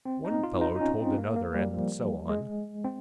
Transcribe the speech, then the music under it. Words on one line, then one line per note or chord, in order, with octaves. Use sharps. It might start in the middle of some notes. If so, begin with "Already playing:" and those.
One fellow told another and so on.
C4
D#4
F4
D#4
D#4
C#4
C4
A#3
A#3
G3
F3
G#3
C4